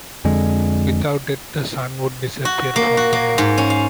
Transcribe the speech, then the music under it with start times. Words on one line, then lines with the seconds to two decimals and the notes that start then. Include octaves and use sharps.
Without it, the sun would disappear from the heavens.
0.25 F2 D3 G#3
2.45 F#4
2.76 A#3
2.97 F#4
3.13 A#3
3.38 G#2
3.58 C#4
3.70 F5